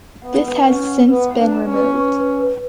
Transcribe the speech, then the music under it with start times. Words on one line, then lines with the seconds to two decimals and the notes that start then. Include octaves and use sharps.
This has since been removed.
0.22 B3 F#5
0.44 B4
0.65 C#4 F#5
0.87 F#5
1.09 B3 B4
1.31 F#5
1.37 D4
1.52 A#5
1.66 C#4
1.74 B4
1.95 C#6
2.16 B4
2.39 B4